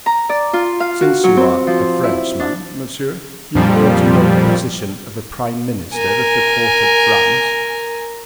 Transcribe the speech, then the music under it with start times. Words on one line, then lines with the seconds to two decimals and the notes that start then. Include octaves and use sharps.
"Since you are a Frenchman, monsieur, you ought to know the position of a prime minister at the court of France."
0.06 A#5
0.29 D5
0.53 F4
0.80 F5
1.01 F#4
1.24 F#3
1.37 C4
1.67 F3
2.03 E4
2.40 D4
3.55 F2 A#2 F3 G3
5.94 A#4 G#5